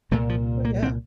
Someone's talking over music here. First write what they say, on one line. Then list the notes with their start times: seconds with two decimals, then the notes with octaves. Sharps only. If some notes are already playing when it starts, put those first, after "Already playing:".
Oh, yeah.
0.11 C2 A#2 A3
0.29 F3
0.65 A#3
0.83 C4